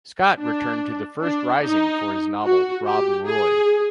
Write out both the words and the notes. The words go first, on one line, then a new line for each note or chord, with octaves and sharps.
Scott returned to the first rising for his novel "Rob Roy".
D4
D4
D#4
F#4
G4
G#4